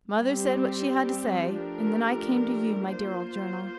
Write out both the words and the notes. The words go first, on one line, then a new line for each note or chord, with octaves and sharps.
Mother said what she had to say, and then I came to you, my dear old Journal.
G3 C4 G4
F3 A3 D4 G4 A#4
A#3 F4 C5